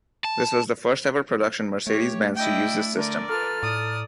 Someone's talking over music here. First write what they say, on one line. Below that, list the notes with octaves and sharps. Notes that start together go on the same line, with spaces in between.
This was the first ever production Mercedes-Benz to use this system.
A5
A3 G4 C#5
D4 E4 D#5 G5
D3 A#4 D5
F4 A4 B4 A#5 F6
A2 D5 D#6